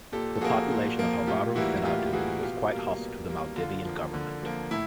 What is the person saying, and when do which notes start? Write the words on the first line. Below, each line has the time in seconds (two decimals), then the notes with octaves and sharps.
The population of Havaru Thinadhoo was quite hostile to the Maldivian Government.
0.12 A#2 G4 A4
0.35 A4
0.41 F3 A#3 F#4 G#4
0.70 A#2
0.99 F3 A#3
1.27 A2 F4 G4
1.55 E3 G3 A#3 E4 F#4
1.85 A2 F4 G4
2.13 E3 G3 A#3 F#4 G#4
2.41 B2 F4 G4
2.71 G3 A#3
2.99 B2
3.28 G3 A#3
3.56 D3 F4
3.85 F3 A#3
4.14 D3
4.43 F3 A#3
4.71 A2 E4